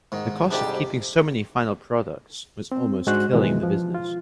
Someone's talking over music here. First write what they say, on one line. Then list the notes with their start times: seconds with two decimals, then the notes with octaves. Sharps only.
The cost of keeping so many final products was almost killing the business.
0.12 G#2 D#3
0.51 F2 G#2 C3 G3 D4 G4 D5 A5
2.72 C4
3.07 G#2 G#3 D4 F#4 C5 F#6
3.33 B2 D#3 E3 F#3 G#3
3.63 F3
3.95 F4